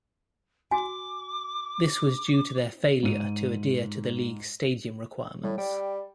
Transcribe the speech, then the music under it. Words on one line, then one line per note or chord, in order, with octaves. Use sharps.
This was due to their failure to adhere to the leagues Stadium requirements.
F#4 G#5 D6
G#2 D#7
A2 G3
G3 G5